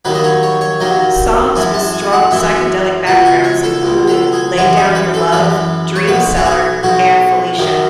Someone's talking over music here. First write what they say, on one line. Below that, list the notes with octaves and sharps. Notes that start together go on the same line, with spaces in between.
Songs with strong psychedelic backgrounds included "Lay Down Your Love", "Dreamseller" and "Felicia".
D#2 D#3 F#3 B4
D#5
C#5
C#5
C#5
D#2 D#3 F#3 D#5
F#2 E3 G#3 G#5
A5
G#5
F#5
F#2 E3 G#3 E5
C#2 B2 G#3 F#5
G#5
C#5
A4
C#2 B2 G#3
A4
G#4
F#2 E3 G#3 F#4
G#4
B4
A4
F#2 E3 G#3 B4
C#5
B1 B2 G#3 B4
F#4
G#4
B1 B2 G#3 F#4
F#2 D#3 F#3